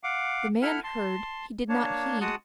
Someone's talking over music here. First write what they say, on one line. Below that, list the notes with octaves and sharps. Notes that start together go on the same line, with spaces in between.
If the man heard, he did not heed.
F5 F#5 D6
E4 A4 E5 F#5 F6
A5 C6
A#3 D4 C#5 A5
G#3 F#4 F#5 A5 D#6